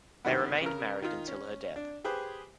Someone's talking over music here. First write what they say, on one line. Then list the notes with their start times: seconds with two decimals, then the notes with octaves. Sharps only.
They remained married until her death.
0.25 G2 C3 D#3 F#3 B3
0.62 C#3 A#4
1.02 D#3 D#4 F4
1.28 C#4
1.76 D4
2.04 G4 G#4 B4 C5